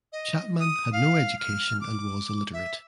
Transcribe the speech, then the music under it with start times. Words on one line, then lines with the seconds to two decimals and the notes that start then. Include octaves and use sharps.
Chapman had no education and was illiterate.
0.12 D#5
0.60 D#6
0.93 F5
1.39 F6
1.81 D6
2.53 E5